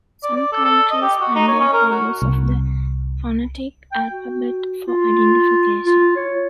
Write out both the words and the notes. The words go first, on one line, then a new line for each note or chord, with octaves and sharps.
Some countries mandate the use of the phonetic alphabet for identification.
D5
D5
A4
A4
D#5
G4
F#4
D#4
C#5
C#4
A#4
F#4
C2
G5
F#4
F4
F4
C#5